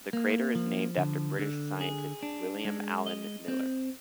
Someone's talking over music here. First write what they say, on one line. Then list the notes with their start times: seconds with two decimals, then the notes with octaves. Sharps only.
The crater is named after British scientist William Allen Miller.
0.13 A#3
0.55 F3
0.97 D3
1.39 D3
1.81 G#4
2.23 D4
2.65 G#3
3.07 D#5
3.48 C4